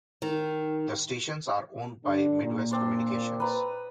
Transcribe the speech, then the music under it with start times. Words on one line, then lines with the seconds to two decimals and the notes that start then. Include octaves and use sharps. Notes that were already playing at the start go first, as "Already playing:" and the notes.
The stations are owned by Midwest Communications.
0.22 D#3
2.04 D3 D4
2.42 A#2
2.71 C4 D4 C5
3.40 B4 A#5 D#6